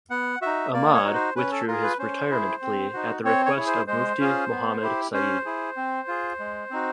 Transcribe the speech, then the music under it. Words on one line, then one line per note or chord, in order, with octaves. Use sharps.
Ahmad withdrew his retirement plea at the request of Mufti Mohammad Sayeed.
B3 F#5
D#4 F#4 E5
A#3 D5
C#5
D#4 F#4
C5
C#4 B4
A4
F4 G#4 A#4
B4
C#4 C5
E4 G#4
C4
D#4 F#4
C4 C#5
C#5
E4 G#4
C5
G#3 C5
C#4 F4 G#4
B3
E4 G4
C#4 C5
E4 G#4
C4
F4 G#4
G#3
C4 D#4 F#4